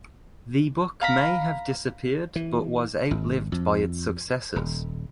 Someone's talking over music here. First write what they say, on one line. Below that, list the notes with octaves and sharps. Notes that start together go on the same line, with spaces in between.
The book may have disappeared but was outlived by its successors.
F5 A#5 B5
E3
G#1
F2
D#1